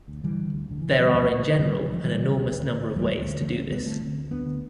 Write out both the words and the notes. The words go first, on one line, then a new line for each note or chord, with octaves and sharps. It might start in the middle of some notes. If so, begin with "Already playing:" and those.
There are in general an enormous number of ways to do this.
D2
D3 E3 G3
D3
D2
D2 D3
D3 E3
F3
D3 G3
D2 F3 A3
D2
D3
D3 E3 G3
D2
E3
D2 F3
D3 E3 G3
D3
D2
D2
D3
D3
D2 E3 G3
D2
D3
D3 F3 A3
D2 A3 C4
D2 G3 B3
D3 A3 C4
D3
D2
D2 B3 D4
D3